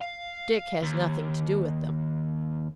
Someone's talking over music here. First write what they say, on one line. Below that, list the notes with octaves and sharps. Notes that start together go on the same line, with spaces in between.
Dick has nothing to do with them.
F5
D#2